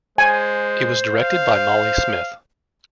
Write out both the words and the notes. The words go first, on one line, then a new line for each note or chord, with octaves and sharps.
It was directed by Molly Smith.
G#3 C5 G#5
F5